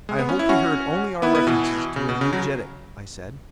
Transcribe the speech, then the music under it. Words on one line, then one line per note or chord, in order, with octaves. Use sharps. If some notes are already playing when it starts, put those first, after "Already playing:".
"I hope he heard only our references to a new Jeddak," I said.
G#3
B3
C#4
E4
C#4 F#4
B3 E4
B3 E4
B2 E3
C#3
B2
C#3
C#3 F#3